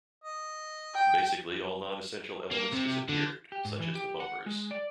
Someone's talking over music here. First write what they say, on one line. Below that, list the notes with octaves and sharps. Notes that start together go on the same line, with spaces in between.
Basically all non-essential elements disappeared, such as the bumpers.
D#5
G5
A#3
C3
D3
G4
G#2
E3
G4
F#5
G#3
D5